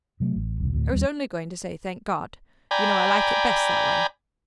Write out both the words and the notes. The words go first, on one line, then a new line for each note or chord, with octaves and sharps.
"I was only going to say 'Thank God.' You know I like it best that way."
C3 F#3 A3
A1
E1 C2
D2 A2
D#2 G3
D5 G5 G#5 A#5 B5